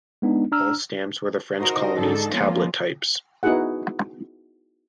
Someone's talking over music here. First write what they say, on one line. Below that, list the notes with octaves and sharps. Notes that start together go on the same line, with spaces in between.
All stamps were the French Colonies "Tablet" types.
G#3 B3 D4 D#4
D4 A#5 E6 F6
D#4 F#4 A#4 C5 D#5
G#2 D3 D4 D#4 G#4 A4
F3 G#3 A#3 B3 C#4 F4
B3 D#4 E4 F#4 G#4 F#5